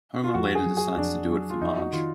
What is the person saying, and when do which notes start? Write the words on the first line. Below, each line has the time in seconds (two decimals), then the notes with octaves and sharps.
Homer later decides to do it for Marge.
0.24 F4
0.34 F2 F#4
0.55 G#4
0.66 F#3
0.77 G#4
0.97 F2 D4
1.30 F#3
1.50 F4
1.61 F2 D#4
1.77 F#4
1.93 D#3 F4